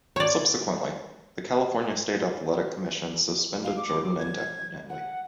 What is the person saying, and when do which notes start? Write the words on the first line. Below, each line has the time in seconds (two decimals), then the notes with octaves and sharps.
Subsequently, the California State Athletic Commission suspended Jordan indefinitely.
0.16 C#5 D5
3.64 F5
3.76 D6
4.19 G#6
4.89 F#5